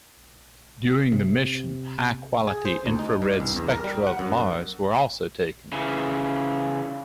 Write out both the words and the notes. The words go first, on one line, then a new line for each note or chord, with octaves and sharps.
During the mission, high quality infrared spectra of Mars were also taken.
C3
G#4
C5
D2
D#4
G2
C2
E2
A#4
G3
F#5
F#2
C#3 E3